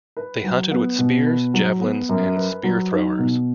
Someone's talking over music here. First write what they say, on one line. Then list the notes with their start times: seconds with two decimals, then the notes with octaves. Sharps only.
They hunted with spears, javelins, and spear-throwers.
0.17 B4
0.44 F#3
0.71 B3
0.99 B2
1.27 B4
1.54 F#3
1.81 B3
2.09 F#2
2.36 B4
2.64 F#3
2.91 D#4
3.19 B2